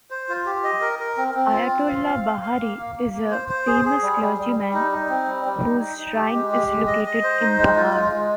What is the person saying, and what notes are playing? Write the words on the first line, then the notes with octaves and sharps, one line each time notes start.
Ayatollah Bahari is a famous clergyman whose shrine is located in Bahar.
C5
F4
G4
D#5
A#4
A#4
C4
C4
F4
C4
F5
F5
F5
F5
A#3
A#3
A#3
A#3
C5
C5
G#4
G#4
G3
G3
G3
G3
D#4
D#4
C4
G3
G3
D#4
D#4
D#4
G4
G#3
G4
G#3
D#5
D#5
C5
D#4
G#3
F4
G#3
G#3